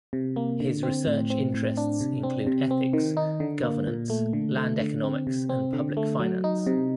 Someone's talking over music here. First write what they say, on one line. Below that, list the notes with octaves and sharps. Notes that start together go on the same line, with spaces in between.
His research interests include ethics, governance, land economics and public finance.
C3
A#3
D3
C4
A2
C4
A2
D4
C3
C4
C3
C4
D#3
D#4
D3
A#3
A#2
A3
D3
A3
D3
C4
C3
C4
D3
A3
F#3
D#4
C3